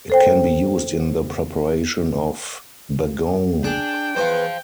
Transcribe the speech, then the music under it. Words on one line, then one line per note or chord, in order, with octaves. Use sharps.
It can be used in the preparation of "bagoong".
A4 C5 G5
D4 G#4 G5
E2 F3 B4 C5 F5